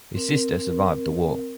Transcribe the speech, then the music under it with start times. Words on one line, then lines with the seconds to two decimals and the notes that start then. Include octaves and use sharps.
His sister survived the war.
0.15 C4 A#4